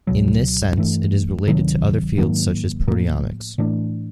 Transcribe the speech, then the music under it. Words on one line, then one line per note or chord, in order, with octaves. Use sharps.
In this sense, it is related to other fields such as proteomics.
C#2 B2 F#3
G2 E3 A3
D2 C3 D#3 F#3
G#2 D#3 F#3 A#3
A2 F3 A#3
A2 E3 A3 D4